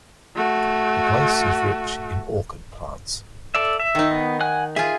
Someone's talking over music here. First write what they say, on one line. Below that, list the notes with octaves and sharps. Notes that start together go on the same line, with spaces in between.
The place is rich in orchid plants.
A3 F#4
A4 D5 E5
E5
D#3 D#4
B3
F#5 G#5 F#6
F4 G#4 E5 G#5